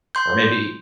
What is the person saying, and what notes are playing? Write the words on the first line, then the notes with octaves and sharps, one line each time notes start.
Or maybe
C6 G6